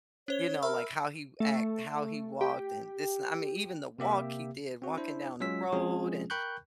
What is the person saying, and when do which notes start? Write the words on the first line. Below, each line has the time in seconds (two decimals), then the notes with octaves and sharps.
you know, like, how he act, how he walked, and this I mean, even the walk he did, walking down the road and
0.28 C#4 C5 C#5 G7
0.62 A#4 E5 B5 E6
1.40 A3
2.41 G4
3.99 C3 A#3 G4 E5
4.82 C4 F#4
4.97 D4 E4 C5
5.40 F#3 G#3 C#4 F4 E6 B6
5.72 F3 G#3 C4 C#4 F4 G#4
6.30 A#4 G5 B5 C#6 F#6 G6